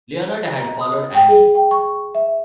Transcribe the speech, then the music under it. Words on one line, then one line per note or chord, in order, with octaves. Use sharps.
Leonard had followed Annie.
A#5
D#6
G5
G#4
G5
C#6
E5